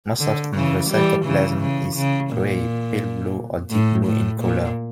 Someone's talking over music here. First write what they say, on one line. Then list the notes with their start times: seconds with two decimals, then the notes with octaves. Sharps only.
Most often, the cytoplasm is gray, pale blue, or deep blue in colour.
0.19 D3
0.55 C#3 E3
0.90 E3 G3
1.25 C#3 E3
1.60 C#3
1.96 C#3
2.31 A#2
3.71 A2
4.06 A2
4.41 A#2